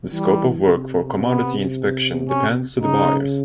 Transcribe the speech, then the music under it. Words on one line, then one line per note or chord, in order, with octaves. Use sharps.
The scope of work for commodity inspection depends to the buyers.
E3 G3
C3
B3
C#4
C#3 D#4